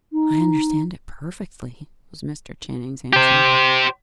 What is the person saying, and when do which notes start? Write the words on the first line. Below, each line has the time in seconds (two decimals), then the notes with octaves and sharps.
"I understand it perfectly," was Mr. Channing's answer.
0.13 D#4
3.13 G4 C5